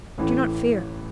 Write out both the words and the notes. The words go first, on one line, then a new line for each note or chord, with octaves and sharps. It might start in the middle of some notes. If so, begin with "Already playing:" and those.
Do not fear.
A1 A2 E3